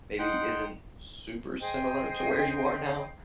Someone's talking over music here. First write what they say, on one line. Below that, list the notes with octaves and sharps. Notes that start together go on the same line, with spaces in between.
maybe isn't super similar to where you are now.
D#4 F#5 G5 C6
G#4 C5 D#5 G5